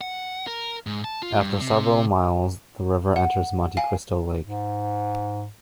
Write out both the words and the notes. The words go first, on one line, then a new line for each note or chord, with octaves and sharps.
After several miles the river enters Monte Cristo Lake.
F#5
A#4
G#2
A5
F4
G2
C3
F#5
F5 G#5
G#2